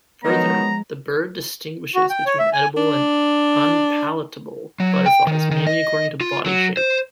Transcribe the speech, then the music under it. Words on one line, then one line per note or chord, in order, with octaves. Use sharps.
Further, the bird distinguishes between edible and unpalatable butterflies mainly according to body shape.
D#3 F3 F#3 G#3 B3 A#5
F#4
G5
C#5
E5
G#5
D4
F#3
G5
D#3
D#3
D#5
F4
F#3
C5